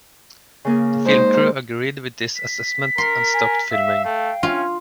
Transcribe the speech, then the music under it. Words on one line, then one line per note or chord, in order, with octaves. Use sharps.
The film crew agreed with this assessment and stopped filming.
C#3 A#3 G#4
G#3 D#4 C5
B6
A#4 C6
G#5
E5 F5
A3 G5
C#4 F4